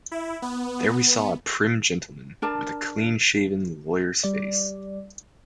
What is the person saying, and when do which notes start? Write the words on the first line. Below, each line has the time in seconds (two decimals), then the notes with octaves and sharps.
There we saw a prim gentleman, with a clean-shaven, lawyer’s face.
0.12 E4
0.42 B3
2.42 D4 A#4 A5
4.24 G3 D5